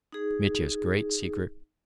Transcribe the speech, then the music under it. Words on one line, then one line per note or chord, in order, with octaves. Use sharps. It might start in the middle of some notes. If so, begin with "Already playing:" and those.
Mitya's Great Secret.
D#4 G#4